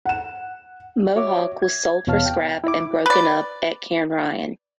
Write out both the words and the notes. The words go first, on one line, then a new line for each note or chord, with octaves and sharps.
"Mohawk" was sold for scrap and broken up at Cairnryan.
F#5 E7
F#4 C#5 E5 D6
G#6
E2 B2 C#5 F5 A5 F6
G5
E4 D6
B4 D5